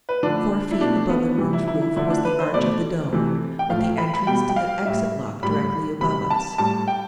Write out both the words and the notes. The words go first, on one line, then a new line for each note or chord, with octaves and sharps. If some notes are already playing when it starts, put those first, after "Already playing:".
Four feet above the room's roof was the arch of the dome, with the entrance to the exit-lock directly above us.
B4
D3 F3 A3 D4
E4
B2 A3 D4
B3
C3 E3 G3
E4
E4
E4
D3 F3 A3 E4
D4
B4
C5
B2 A3 D5
C3 E3 A3
G5
A2 F3 A3 F5
B5
B5
B2 G3 G5
G5
F5
A2 G3 E5
A2 G3 B5
C3 G3 B5
A5
A2 G3 A5
G5